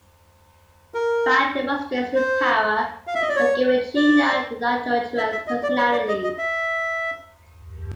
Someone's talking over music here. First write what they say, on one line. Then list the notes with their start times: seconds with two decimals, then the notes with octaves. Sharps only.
Valle demonstrates his power by giving Gina the adulterous personality.
0.94 A#4
2.15 C5
3.07 F5
3.15 E5
3.22 D#5
3.29 D5
3.36 C#5
3.96 D5
5.18 E5
5.32 E5
5.47 D#5
5.63 D5
5.77 C#5
5.92 D5
6.08 D#5
6.24 D#5
6.38 E5